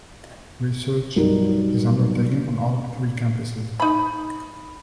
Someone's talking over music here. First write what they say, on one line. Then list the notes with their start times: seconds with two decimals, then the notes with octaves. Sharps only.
Research is undertaken on all three campuses.
1.16 B1 G2 D#4 A#4
3.80 D#4 B5